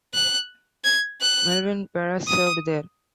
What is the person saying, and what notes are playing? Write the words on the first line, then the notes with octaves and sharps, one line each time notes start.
Melvyn Perez served there.
F#6
G#6
F#6
D#6